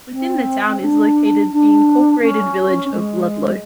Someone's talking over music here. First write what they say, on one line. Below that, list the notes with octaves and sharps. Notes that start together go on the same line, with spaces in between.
Within the town is located the incorporated village of Ludlow.
C4
D4
D4
C#4
G#3